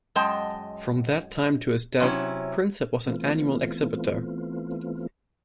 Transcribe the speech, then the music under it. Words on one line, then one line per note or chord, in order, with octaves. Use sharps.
From that time to his death Prinsep was an annual exhibitor.
F#2 G#3 D#5 G5 A5
C3 F#3 C#4 E4
E3 A3 B3 C4 F4